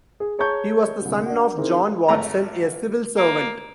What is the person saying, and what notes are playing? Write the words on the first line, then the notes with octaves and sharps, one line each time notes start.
He was the son of John Watson, a civil servant.
G#4
G#4 C#5 A5 A#5 C#6 G6
G1 C2
D4 F#4
D#3 C4 E4 G#4 A#4
G#1 A3 A#5
A#3